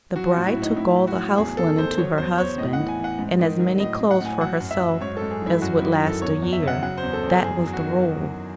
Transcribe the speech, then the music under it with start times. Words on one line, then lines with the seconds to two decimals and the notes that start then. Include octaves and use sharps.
The bride took all the house-linen to her husband, and as many clothes for herself as would last a year; that was the rule.
0.16 F#3 F#4
0.32 A2 F#4
0.46 E4
0.57 A2
0.62 D#4
0.76 A2 E4
0.96 A2
1.07 F#4
1.17 F#3
1.38 E2 G#4
1.57 E2 A4
1.77 D#3 C5
1.98 F#3 C#5
2.18 E2 C5
2.38 E2 C#5
2.58 A2 D#5
2.73 F#5
2.78 E3
2.88 G#5
2.99 E3 F#5
3.19 G#2
3.39 D#3
3.60 F#3
3.80 A2 D#5
4.01 A2
4.11 F#5
4.21 A2 G#5
4.40 F#3 F#5
4.60 F#2
4.71 E5
4.80 F#3
5.01 G#2 C#5
5.17 A4
5.22 G#2
5.31 G#4
5.42 F#3
5.47 E4
5.62 F#2 F#4
5.77 D#3 E4
6.02 F#2 A4
6.22 E2 C#5
6.42 E2
6.53 E5
6.62 C#3
6.68 F#5
6.82 F#3 F#5
6.97 C5
7.03 E2
7.13 A4
7.23 E2
7.29 G#4
7.43 F#2 G#4
7.64 F#3
7.73 F#4
7.84 D#3